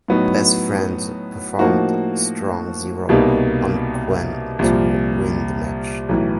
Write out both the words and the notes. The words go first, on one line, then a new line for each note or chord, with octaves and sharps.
Best Friends performed "Strong Zero" on Quen to win the match.
A2 F#3 B3 D#4
A2 F3 A#3 D#4 F#4
C2 B2 G3 A#3 D#4
C2 A#2 F3
B1 A2 E3